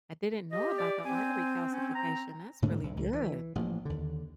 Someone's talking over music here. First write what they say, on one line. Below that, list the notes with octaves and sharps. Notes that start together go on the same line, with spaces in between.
I didn't know about the artery calcification, that's really good.
G4 D#5
D5
C4 G#5
C#4
A#5
G#2 D3 A3 D4
B1
C#2
E3
A1 F3 A#3
D#2 D3